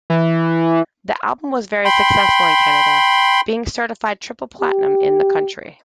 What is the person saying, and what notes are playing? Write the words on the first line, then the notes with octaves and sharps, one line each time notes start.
The album was very successful in Canada, being certified Triple Platinum in the country.
E3
G5 B5 C6
G4